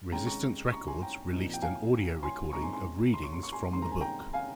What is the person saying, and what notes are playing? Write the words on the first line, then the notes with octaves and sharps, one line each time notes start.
Resistance Records released an audio recording of readings from the book.
C3 D#3 G#3 C#4 G5 A#5
A#5 C#6
A#5 C#6
G#5 C6
G5 A#5
A#2 F3 C4 D#4
G5
F5 G#5
G#5 C6
A#2 G#3 C4 D#4 A#5 C#6
G#5 C6
G#5 C6
C6
C#6
C6
C#6
G#5 C6
C3 D#3 G#3 C4 C6
A#5
G#5
G5 A#5
F5 G#5